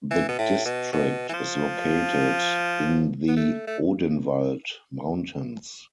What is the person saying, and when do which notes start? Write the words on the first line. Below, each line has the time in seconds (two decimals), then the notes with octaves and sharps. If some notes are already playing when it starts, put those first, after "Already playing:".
The district is located in the Odenwald mountains.
0.11 E3
0.29 B2
0.39 A2
0.66 B2
0.93 B2
1.29 E3
1.33 F3
3.28 B3
3.37 A3
3.67 A3